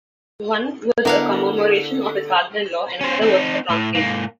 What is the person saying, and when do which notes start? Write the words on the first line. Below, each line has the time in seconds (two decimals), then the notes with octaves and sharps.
One was a commemoration of his father-in-law and another was a translation.
1.05 D3 B3 E4 A4 A#4 F5 F#5
3.01 C#4 C5
3.21 C4 D#4
3.70 A2
3.95 G#2 A#3